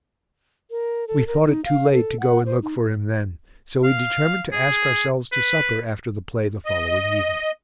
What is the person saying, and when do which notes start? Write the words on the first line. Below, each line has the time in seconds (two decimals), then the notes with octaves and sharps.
We thought it too late to go and look for him then, so we determined to ask ourselves to supper after the play the following evening.
0.71 A#4
1.08 A4
1.27 A#4
1.46 D#4
1.65 F5
1.92 A4
2.20 F#5
2.46 C5
2.62 D#4
3.84 F5
4.52 G#4
5.32 B4
6.66 D#5